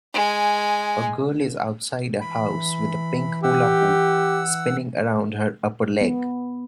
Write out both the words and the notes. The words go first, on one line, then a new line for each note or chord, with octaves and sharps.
A girl is outside a house with a pink hula hoop spinning around her upper leg.
G#3 G#5
E3 B5
G4 F#5 E6
B3